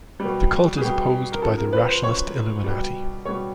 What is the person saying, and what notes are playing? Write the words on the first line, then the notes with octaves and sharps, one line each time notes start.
The cult is opposed by the rationalist Illuminati.
G3
B2
G#4
B2 G3 G4
A#4
C#3 F3 A4
A#4
B4
C5
C#3 F3 C#5
B2 G3
B2 G3 C#5